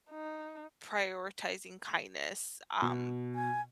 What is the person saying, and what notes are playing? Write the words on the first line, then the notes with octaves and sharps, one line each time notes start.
prioritizing kindness, um,
D#4
B2
G#5